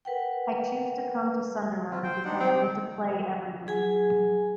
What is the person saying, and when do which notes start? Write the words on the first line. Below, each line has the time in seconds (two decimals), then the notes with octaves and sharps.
I chose to come to Sunderland because I need to play every week.
0.05 A#4 B4 F#5 G5
1.90 C4 F4
2.03 C5 G5
2.24 D4 D#4 F#5
2.40 C4
3.67 F#3 G#4 G#5